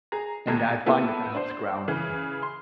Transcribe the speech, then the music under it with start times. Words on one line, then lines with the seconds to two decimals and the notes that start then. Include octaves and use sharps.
And I find that that helps ground me.
0.12 G#4 A#5
0.47 D#2 A2 A4 A#5 G#6
0.86 A#3 B3 E4 A4
1.34 D4 C5
1.88 C#3 E3
2.42 C6